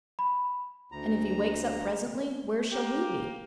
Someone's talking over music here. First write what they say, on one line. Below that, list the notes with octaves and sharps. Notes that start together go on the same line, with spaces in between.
And if he wakes up presently, where shall we be?
B5
D2 A#5
A#3 G4